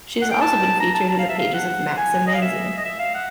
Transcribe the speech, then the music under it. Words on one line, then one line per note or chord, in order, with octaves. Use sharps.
She has also been featured in the pages of Maxim magazine.
F#5
G5
A5
A#5
A5
A5
F5
E5
F5
F#5
G#5
D#5
F5
E5
D#5
E5
F5
F#5